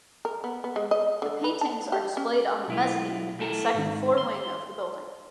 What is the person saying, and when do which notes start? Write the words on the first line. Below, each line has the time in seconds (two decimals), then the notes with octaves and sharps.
The paintings are displayed on the mezzanine and second floor wing of the building.
0.25 A#4
0.44 B3
0.64 B3
0.76 G#3
0.91 D#5
1.22 D3
1.44 B4
1.61 A5
1.92 G4
2.17 C#4
2.68 B1 E4 F4
3.39 A3 E4 A4 A#4
3.74 G#2 D#3
4.18 C6